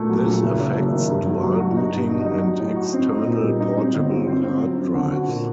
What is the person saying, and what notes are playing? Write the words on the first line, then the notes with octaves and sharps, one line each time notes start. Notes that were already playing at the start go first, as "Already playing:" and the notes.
This affects dual-booting, and external portable hard drives.
Already playing: A#2 A3
F#3
A#1
F#1
F#2
F#1
D#3
G2
F#3
F#3
F#4
D#4
G2
D#4
D#4
F#3
A2
F#4
C4
D#4
A#2
G3
D#4
C4
G1
G1
C4
C4
F#3
C4
D3
F#4
A#2